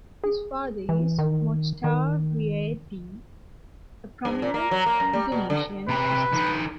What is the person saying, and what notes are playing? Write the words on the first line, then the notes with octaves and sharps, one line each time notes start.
His father is Mochtar Riady, a prominent Indonesian businessman.
G#4
E3
D#3
D#3
G2
A#2
A#3
F#3
A#3
F#2
G3
B2
D3
C3 B4 A#5
D3 D#4